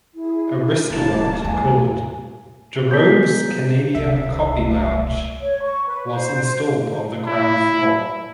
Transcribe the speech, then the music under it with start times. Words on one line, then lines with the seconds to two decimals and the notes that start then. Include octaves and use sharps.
A restaurant called "Gerome’s Canadian Coffee Lounge" was installed on the ground floor.
0.15 E4 G#4
0.90 D#1 G3 A3 A#3 E4 A5
1.44 E2 G#5
2.91 B3 G#4 A#4 G6 B6
3.95 D#1 C2 E5
4.59 A3
5.40 C#5
5.62 C#6
5.87 B4
6.11 C5
7.27 E4